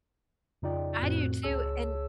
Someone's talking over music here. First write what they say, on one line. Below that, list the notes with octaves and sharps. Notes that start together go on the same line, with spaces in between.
I do, too, and
F2 C#3 D#4 F4 D5 G5
F2 A2 C4 F#4 F#6
C#2 G#4 C#5 A5 E6